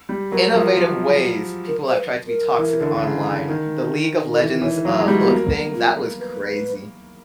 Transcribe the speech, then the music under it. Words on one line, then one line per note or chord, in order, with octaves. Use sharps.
innovative ways people have tried to be toxic online. The League of Legends, uh, hook thing, that was crazy.
G3
F#3 A#4
F3
F3
A#4
C5
B4
A#4
E3
D3
D3
C#3
D#3
A#4
E3 A4
E3 C#5
F#3 C#5
G#3
G3 G4
B3 G4
A#3 F#4
F4
B4